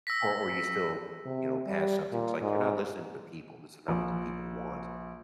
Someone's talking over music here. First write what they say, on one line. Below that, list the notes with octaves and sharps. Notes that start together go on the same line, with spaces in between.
Or or you still, you know, pass something it's like, you're not listening to people, this is not what the people want.
E6 A#6 B6
C3
G3
A#2
G#2
A#1